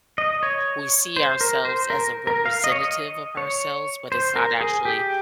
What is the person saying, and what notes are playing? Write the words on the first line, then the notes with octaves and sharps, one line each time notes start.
we see ourselves as a representative of ourselves, but it's not actually
D#5
C#5
C5
A#4
C5
A#4
A#4
F5
D#5
C#5
D#5
C#5
C5
A#4
G#4
G4